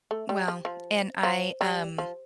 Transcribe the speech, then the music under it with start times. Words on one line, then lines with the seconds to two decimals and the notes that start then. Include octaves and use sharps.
Well and I, um
0.11 A3
0.29 G3
0.48 F3
0.65 F3
1.23 F3
1.61 G3
1.98 F3